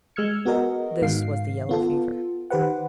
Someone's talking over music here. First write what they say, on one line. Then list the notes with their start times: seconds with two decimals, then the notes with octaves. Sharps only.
This was the Yellow Fever.
0.16 G#3 E6 F6 G#6 C#7
0.45 B3 F#4 G#4 A#4 D#5
1.02 G#2 D#3 F5 C7
1.69 B3 F4 A4
2.50 D#3 G4 B4 C5 F#5